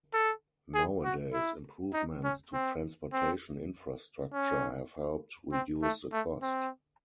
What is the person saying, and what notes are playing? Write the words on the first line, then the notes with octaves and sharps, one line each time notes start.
Nowadays, improvements to transportation infrastructure have helped reduce the cost.
A4
G#4
F#4
E4
D#4
C#4
C4
C4
C#4
C4
A3
A3
C4